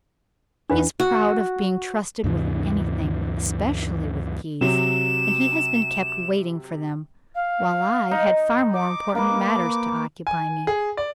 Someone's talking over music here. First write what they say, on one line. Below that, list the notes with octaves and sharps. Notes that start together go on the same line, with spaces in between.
He is proud of being trusted with anything, especially with keys; and he has been kept waiting for them, while I had far more important matters to occupy me.
E2 D4 E4 B4
F#4
D2 G2 C3 E3
C3 F#3 E7
F5
D#4
D6
A#3 B4 D6
G#5
G#4
D5